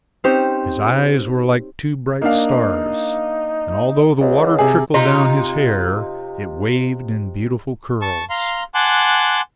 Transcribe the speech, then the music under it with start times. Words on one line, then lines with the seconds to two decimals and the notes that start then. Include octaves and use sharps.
His eyes were like two bright stars; and although the water trickled down his hair, it waved in beautiful curls.
0.24 C4 C#4 D#4 G4 C5
2.22 A#3 D4 D#4 F5
4.21 C#2
4.59 C3 G#4
4.94 C3 D#4 F4 A#5
8.02 A5 C#6
8.30 F5 A#5 C6
8.75 F#5 G#5 A5 C6 D6 F#6